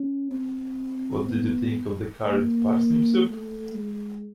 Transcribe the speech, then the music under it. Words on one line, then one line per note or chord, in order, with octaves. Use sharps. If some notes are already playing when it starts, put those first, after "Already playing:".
What did you think of the curried parsnip soup?
Already playing: C#4
C4
B3
A#3
A3
G#3